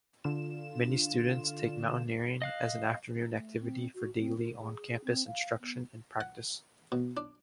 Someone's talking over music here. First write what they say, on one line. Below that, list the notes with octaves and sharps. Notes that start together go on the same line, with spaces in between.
Many students take mountaineering as an afternoon activity for daily on-campus instruction and practice.
D3 F4 E7
D#5 F5 F#6
A3
C4
F#4
C4
A#4
G#4
C4
F5
B3
F#5
B2
D4